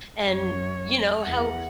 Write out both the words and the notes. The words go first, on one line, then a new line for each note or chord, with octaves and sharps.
and, you know, how
F#2 C#5
E2 F#5